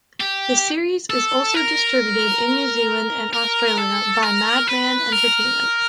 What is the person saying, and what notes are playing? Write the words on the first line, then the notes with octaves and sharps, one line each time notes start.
The series is also distributed in New Zealand and Australia by Madman Entertainment.
G4
A4
A#4
A#4
A4
A#4
B4
A#4